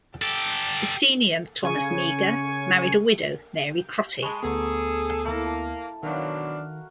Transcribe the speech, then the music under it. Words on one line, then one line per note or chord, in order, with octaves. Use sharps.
The senior Thomas Meagher married a widow, Mary Crotty.
G4 A4
C#3 G#5 C#6 D#7
G#3 A5 B5 C#6
D2 D3 B3 G#4 A4 A#5 C#6
A#3 E4 A5 D6
B2 D#3 E3 F#3 D4 F#4 A#4 F5